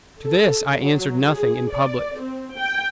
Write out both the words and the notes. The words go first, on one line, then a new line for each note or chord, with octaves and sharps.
To this I answered nothing in public.
A4
F#3
G#4
D5
C4
G5